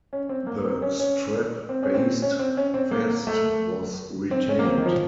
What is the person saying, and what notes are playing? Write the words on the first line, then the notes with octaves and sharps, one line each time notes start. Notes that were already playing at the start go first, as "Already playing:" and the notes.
The strap based vest was retained.
C#4
C4
A#3
C4
C#4
C#4
C4
C#4
C4
C#4
C4
C#4
C4
A#3
A#3
A3
C4
C#4
A#3
C4
D#3
F3